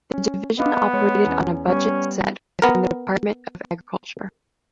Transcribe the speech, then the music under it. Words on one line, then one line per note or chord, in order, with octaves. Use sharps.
The division operated on a budget set within the Department of Agriculture.
C#4
B3 D#5 F5 D6
G#3 C#5
E2 C#4
G3 B3 C#4
B3 A#4